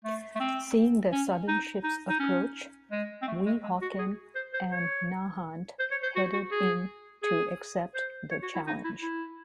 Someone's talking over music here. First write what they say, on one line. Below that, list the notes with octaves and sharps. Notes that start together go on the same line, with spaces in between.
Seeing the Southern ships approach, "Weehawken" and "Nahant" headed in to accept the challenge.
A3
A3
C4
C#4
D#4
D#4
D#4
C#4
G#3
C4
A3
G#3
G#3
F#4
G#4
C5
C5
C#5
C5
C#5
C5
F#4
F#4
G#4
G#4
C5
C#5
F#4
E4
D#4
E4
E4